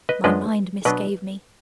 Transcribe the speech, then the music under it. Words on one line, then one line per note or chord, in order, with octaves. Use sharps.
'My mind misgave me.
B4 D#5
F#2 F3 G#3 D4 B4 D#5
B2 F#3 B3 D4 B4 D#5